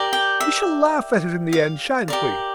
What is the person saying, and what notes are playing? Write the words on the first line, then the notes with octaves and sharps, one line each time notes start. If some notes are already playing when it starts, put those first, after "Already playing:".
We shall laugh at it in the end, shan't we?
Already playing: G4 A#4 D5
G5
E5
F5
G4 A#4 D5